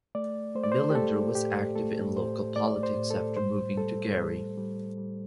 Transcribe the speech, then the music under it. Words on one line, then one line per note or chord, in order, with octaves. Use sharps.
Millender was active in local politics after moving to Gary.
A3 D5
A3 C5
D5
C5
G4
A3 A4
A2 G4
A3 A4
A2 C5
A3 D5
C5
A2
A4
G3 C5
G3 A4
G3
G3
G3